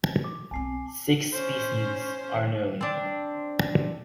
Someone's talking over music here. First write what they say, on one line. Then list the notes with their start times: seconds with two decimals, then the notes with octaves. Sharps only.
Six species are known.
0.24 D6
0.51 B1 C4 G#5 A5 C7
1.33 C#4 C5
2.81 C4 D4